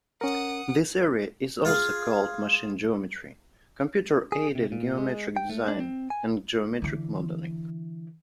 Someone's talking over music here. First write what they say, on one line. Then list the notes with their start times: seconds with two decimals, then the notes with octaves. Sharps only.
This area is also called "machine geometry", computer-aided geometric design, and geometric modelling.
0.21 C#4 A#4 F#5 D#6
1.65 F4 G#4 F5
4.32 G#4
4.55 C3
4.72 A#2
4.98 G#3
5.36 G5
5.50 A3
5.68 D4
5.80 C4
6.10 G#5
6.82 D3 E3